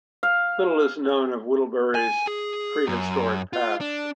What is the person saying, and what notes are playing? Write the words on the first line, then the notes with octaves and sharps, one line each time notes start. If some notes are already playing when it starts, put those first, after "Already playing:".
Little is known of Whittlebury's pre-historic past.
F5
G#5
G#4
F#2
F4
D4